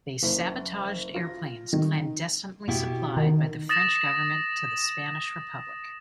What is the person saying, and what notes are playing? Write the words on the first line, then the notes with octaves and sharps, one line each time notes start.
They sabotaged airplanes clandestinely supplied by the French government to the Spanish Republic.
F#1
F4 A#6
D#3
B2 E4 G4
D#3
D#6 A6 A#6 E7